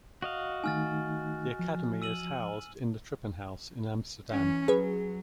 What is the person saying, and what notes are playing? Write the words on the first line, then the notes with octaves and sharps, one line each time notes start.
The Academy is housed in the Trippenhuis in Amsterdam.
F#4 D#5 F5
D#3 A3 D#4 G#5 F6 A6
F3
E6 D#7 F#7
E3 C#4
F#3 G#4 B4